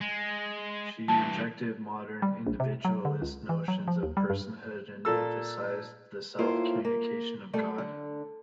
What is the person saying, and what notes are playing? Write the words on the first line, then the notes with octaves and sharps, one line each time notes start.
She rejected modern individualist notions of personhood and emphasised the self-communication of God.
G#3
G2 E3 A5
G3
A#1
C3
F#3
D3
C#2
E3
F#3
F3
D#2
G3
G2
A#2 A4 E6
A2 A#3 F4 C5
A#3
G3 A3
D3